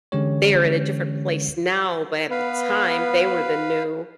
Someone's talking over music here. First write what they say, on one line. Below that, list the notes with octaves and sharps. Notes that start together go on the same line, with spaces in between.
They are in a different place now, but at the time they were the new
D3 E3 G#3 C#4 G4 C#5
B3 B4 F5